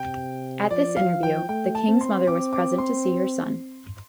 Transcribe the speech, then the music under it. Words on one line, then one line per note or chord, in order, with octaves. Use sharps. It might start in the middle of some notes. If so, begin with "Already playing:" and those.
At this interview, the king's mother was present to see her son.
Already playing: C3 G5
F3 D5
F5
G5
A3 G5
A5
C4
C6
C4 D6
D6
C6